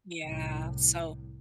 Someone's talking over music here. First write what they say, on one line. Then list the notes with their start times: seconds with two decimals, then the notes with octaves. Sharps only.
Yeah, so
0.21 C2 A2